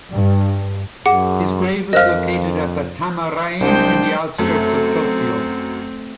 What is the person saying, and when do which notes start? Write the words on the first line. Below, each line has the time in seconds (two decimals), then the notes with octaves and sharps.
His grave is located at the Tama Reien in the outskirts of Tokyo.
0.12 G2
1.06 F#2 G#4 F#5
1.93 F2 A#4 C5 D#5 F5 F6
3.61 C2 F#3 G#3 D4 C5 G5
4.39 F#2 A3 C4